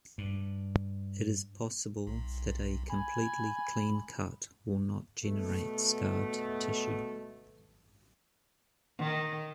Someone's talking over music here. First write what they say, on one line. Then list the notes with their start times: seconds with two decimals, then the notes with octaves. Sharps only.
It is possible that a completely clean cut will not generate scarred tissue.
0.18 G2
2.07 B1
2.90 G#5 B5
5.24 B2 A3
8.98 D#3